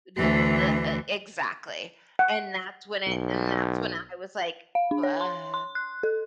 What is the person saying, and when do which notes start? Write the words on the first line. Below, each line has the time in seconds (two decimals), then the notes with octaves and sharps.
E exactly. And that's when it and that's when I was, like, "Bleh."
0.16 D2 E3
2.19 F#5
3.08 B1
4.75 F5
4.91 D4
5.03 C#5
5.21 C6
5.54 C6
5.75 F#6
6.03 A4